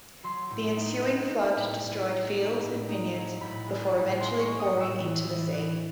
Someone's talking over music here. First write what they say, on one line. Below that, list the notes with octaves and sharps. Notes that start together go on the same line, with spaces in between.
The ensuing flood destroyed fields and vineyards before eventually pouring into the sea.
F#3 C6
A2
D#4
B3
D#4
A2
A2
D#4
D#4
A2
D#4
F#3
A2 B5
G#3
A2
G#3 C6
C#6
G#3
D#6
A2
E6
E3
E3
E3